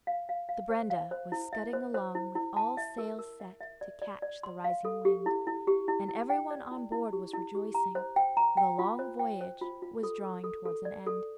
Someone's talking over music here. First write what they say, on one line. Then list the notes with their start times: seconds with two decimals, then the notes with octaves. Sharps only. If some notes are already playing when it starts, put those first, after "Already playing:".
The Brenda was scudding along with all sail set to catch the rising wind, and everyone on board was rejoicing, for the long voyage was drawing towards an end.
0.07 F5
0.29 F5
0.49 F5
0.70 C5
0.90 F5
1.11 C5
1.32 E4
1.53 E5
1.73 C5
1.94 C5
2.15 E4
2.35 E4
2.57 A5
2.77 E5
2.98 A#4
3.19 A#4
3.40 E5
3.61 E5
3.81 D5
4.02 D5
4.22 D5
4.43 C6
4.64 F5
4.85 A4
5.05 G4
5.26 E4
5.47 E4
5.67 G4
5.88 E4
6.09 E4
6.30 G5
6.51 D5
6.71 E4
6.92 E4
7.13 G4
7.34 E4
7.55 G4
7.75 A#5
7.95 C5
8.16 G5
8.37 A#5
8.57 G5
8.79 F4
8.99 C5
9.19 G5
9.41 C5
9.61 F4
9.82 F4
10.03 A4
10.24 A4
10.44 A4
10.65 A4
10.85 D5
11.06 A4